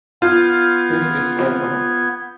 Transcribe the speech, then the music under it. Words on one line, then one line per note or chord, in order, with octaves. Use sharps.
This is better.
B3 F4 G6 G#6